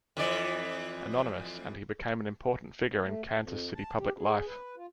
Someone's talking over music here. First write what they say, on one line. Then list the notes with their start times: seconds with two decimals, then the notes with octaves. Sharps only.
Anonymous” and he became an important figure in Kansas City public life.
0.17 F2 E3 D5
3.03 A3
3.27 A3
3.40 F2
3.75 A5
3.98 G4
4.18 G#4
4.46 B4
4.76 F4